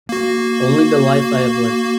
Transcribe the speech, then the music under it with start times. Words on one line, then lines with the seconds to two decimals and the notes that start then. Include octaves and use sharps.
Only the life I have lived.
0.09 A#3 F#4